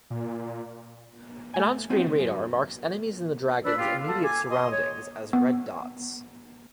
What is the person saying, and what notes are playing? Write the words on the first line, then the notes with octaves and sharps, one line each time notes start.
An onscreen radar marks enemies in the dragon's immediate surroundings as red dots.
A#2
A3 G#5
B3 C4 D#4 F#4 C5 D#5
C#3
F#2
D4 B4 D5 E6
F4 G4 F5
A4 F#5
G#5 D6
D#5 C6
C#5
B3